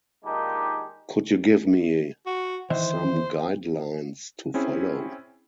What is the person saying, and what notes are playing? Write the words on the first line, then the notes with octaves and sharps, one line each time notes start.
Could you give me some guidelines to follow?
A#2 D#3 G#3 D4 D#4 G4
F#4
D#3 E3 C5 E5
C4 C#4 E4 G#4